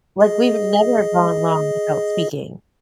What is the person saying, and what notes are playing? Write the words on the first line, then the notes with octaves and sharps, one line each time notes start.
Like, we've never gone long without speaking,
G#4 D#5